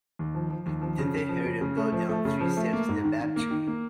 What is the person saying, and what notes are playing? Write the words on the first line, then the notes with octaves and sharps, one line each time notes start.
Then they heard him go down three steps to the pantry.
D#2
F3
F3
D#2
F3
C#3
C#3
F3
C#3
C#3
A3
F3
A3
C#3
F3
A3
A#3
G#2
D#3
D#3
A#3
D#3
A#3